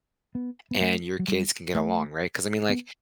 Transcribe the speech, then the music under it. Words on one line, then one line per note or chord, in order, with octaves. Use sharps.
and your kids can get along, right, 'cause I mean, like
B3
B3
A3
F#3
G3
A3
B3